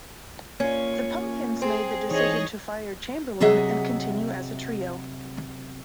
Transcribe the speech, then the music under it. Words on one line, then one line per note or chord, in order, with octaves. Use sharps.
The Pumpkins made the decision to fire Chamberlin and continue as a trio.
A#3 C#4 F4
C4 G#4
E3 D#4 G#4 C#5 D#5
C3 F#3 G#4 D#5 E5 F#5